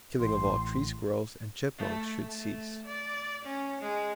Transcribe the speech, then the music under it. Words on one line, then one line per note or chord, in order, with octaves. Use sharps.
The killing of all tree squirrels and chipmunks should cease.
A1 C6
A3
A3
D5
C#4
G#3